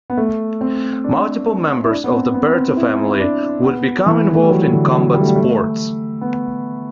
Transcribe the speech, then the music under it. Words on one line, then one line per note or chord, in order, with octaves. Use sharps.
Multiple members of the Berto family would become involved in combat sports.
B3
A3
C4
D4
E4
D4
B3
C4
B3
C4
E4
D4
B3
E3
A3
G3
F#3
D3
F#3
G3
A3
G3
A3
B3